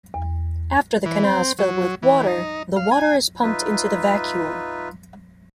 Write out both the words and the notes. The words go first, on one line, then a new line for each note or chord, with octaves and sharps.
After the canals fill with water, the water is pumped into the vacuole.
E2
E3
C4
F#3
E3
D#4
F5
G#5
D#4 F4 B4 E5